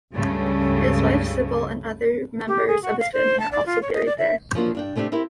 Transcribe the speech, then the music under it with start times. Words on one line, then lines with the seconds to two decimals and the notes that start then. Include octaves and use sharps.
His wife Sybil and other members of his family are also buried there.
0.13 C#2 G2 C#3 A3
2.48 G4
2.67 G#4
2.82 F#4
3.00 F5
3.13 C5
3.40 A5
3.52 D5
3.66 F4
3.82 C#5
3.94 D#5
4.06 D5
4.18 E5
4.55 F3 F#3 A#3 B3 D4 F4
4.75 G2 D4 G5
4.95 C3 A3 C4 D4 G4
5.12 C4 E4 G4 A#4